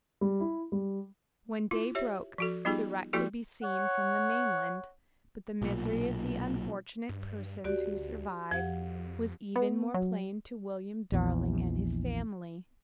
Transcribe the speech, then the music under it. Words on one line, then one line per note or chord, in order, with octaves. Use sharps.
When day broke the wreck could be seen from the mainland, but the misery of the unfortunate persons who survived was even more plain to William Darling and his family.
G3
E4
G3
E4 F4
G4 C#5 E5
F3 F#4 A4
G3 B3 D#4 F4 G4 G#4
F3 A#3 E4 F#4 G4 A4
C#5 F#5
B1 A#2
G2
D2 F#4 G4 D5
F2 F3 G4 F#5
B3
F#3
A#1 E2